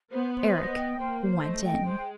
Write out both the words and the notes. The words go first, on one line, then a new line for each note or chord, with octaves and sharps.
Eric went in.
B3 C5
C5
D#5
G5
A#3 C5
C5
A3 D#5
G5
G#3 C5